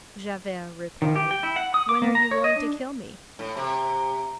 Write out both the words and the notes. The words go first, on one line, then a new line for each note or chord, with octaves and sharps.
Javert replied: "When are you going to kill me?"
D#3
G4
G5
E4
F#5
D#6
D6
A#3
A#5
C#5
D#5
D4
A2
C3